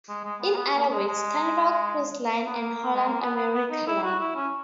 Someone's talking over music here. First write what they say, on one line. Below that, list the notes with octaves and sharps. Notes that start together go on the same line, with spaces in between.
In other words, Carnival Cruise Line and Holland America Line.
G#3
G#3
B3
A#3
B3
A#3
G#3
G#3
B3
A#3
G#3
A#3
B3
B3
B3
D#4
E4
F#4
E4
C#4